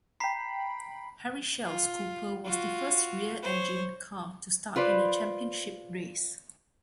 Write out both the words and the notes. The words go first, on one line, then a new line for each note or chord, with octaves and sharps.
Harry Schell's Cooper was the first rear-engined car to start in a championship race.
G5 A#5 B5 B6 C7
F4
F4 F#4
C5 C#5
F4 B4 C5 D5